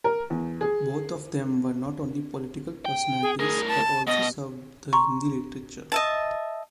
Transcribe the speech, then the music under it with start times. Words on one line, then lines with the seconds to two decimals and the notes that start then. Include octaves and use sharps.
Both of them were not only political personalities, but also served the Hindi literature.
0.04 A#4
0.30 E2
0.61 G#4
2.85 G5
3.22 G#4
3.39 A2 G#4 A#4
3.68 A5
4.07 B2 D#5
4.93 A#5 C6 C#6
5.92 D#5 E5 A5